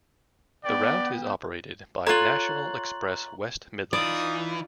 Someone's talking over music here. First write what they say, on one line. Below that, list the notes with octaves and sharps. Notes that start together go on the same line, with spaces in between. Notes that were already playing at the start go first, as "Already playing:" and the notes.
The route is operated by National Express West Midlands.
B3 D5 G5
F4 A4 C#5 A#5 C6 F#6 A6 F#7
E3 D#4 F4 D5 D#6